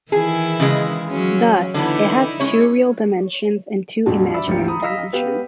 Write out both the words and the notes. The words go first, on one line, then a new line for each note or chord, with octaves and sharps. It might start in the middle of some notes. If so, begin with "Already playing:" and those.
Thus it has two real dimensions and two imaginary dimensions.
D#3 E3 E4 G#4
C#3 G#3
F#3 C#4
D3 E3 B3 D#4 E4
G#3 C#4 C#5
F2 A#2 G3 D4 F#4 A5
D5 E5 B5 E6
G#1 D2 F3 A#3 G4 C#7
A#5 B5 D#6
D#5 F5 E6 B6
B3 G4 B4 F5